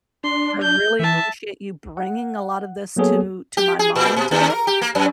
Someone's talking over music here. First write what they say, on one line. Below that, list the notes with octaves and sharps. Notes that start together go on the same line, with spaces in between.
I really appreciate you bringing a lotta this to to my mind today.
D4 C6
G6
E3 E5 A5
F#5
F#3 A#3 B3 G#4 A4 C#5
G4
G#4
A#2
B2
D#2
A#4
G4
A#3
F#2